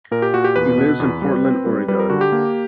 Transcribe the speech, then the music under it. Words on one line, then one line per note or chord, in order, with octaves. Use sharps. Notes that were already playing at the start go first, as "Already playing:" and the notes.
He lives in Portland, Oregon.
A#2 A#4
G4
A#2 F#4
G4
E2 B4
B2
E2
G3
C4
G3
G3 B4
A#4
D3 F#4
G4
A#3